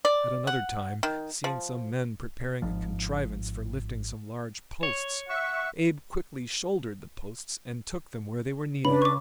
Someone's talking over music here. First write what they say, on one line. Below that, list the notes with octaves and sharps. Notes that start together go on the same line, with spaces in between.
At another time, seeing some men preparing a contrivance for lifting some large posts, Abe quickly shouldered the posts and took them where they were needed.
D5
F#5
D#3
F3
G#1 G#2 F3
C#5
E5 F#5 C#6
C#3 D4 B4 B5
C#6 D6